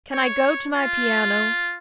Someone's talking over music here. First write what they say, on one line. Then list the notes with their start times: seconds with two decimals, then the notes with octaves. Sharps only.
Can I go to my piano?
0.12 C#5
0.76 F4